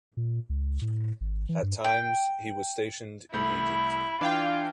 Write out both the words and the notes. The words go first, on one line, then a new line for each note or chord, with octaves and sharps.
At times, he was stationed in Egypt.
A#2
C#2
A2
G#1
E3
G2
G5
C2 A3 E4 B5 G6
E3 D4 F4 F5 G5